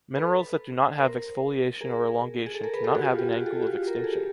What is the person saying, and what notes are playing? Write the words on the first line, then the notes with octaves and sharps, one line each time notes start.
Minerals that do not have exfoliation or elongation cannot have an angle of extinction.
A4 B4
A#4 C5
G#4 A#4
G#4
A4
G#4 A#4
A4 B4
G4 A4
F#4 G#4
F4 G4
F4 G4
F#4 G#4
G4 A4
F#4
F4 G4
A#4
A4
G#4
G4 A4